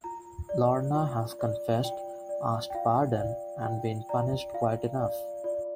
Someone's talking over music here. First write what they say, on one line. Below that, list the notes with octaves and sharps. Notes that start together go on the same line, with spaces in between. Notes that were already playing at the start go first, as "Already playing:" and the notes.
Lorna has confessed, asked pardon, and been punished quite enough.
F4 A#5
D5
F4
D5
F4 G5
D5
G5
F4 F5
D5
F4 G5
D5 A#5
F4 F5
D5
F4 D5